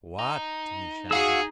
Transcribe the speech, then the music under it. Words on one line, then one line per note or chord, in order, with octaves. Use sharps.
"WHAT!" he shouted.
D#4
F#4 G#4 F5 E6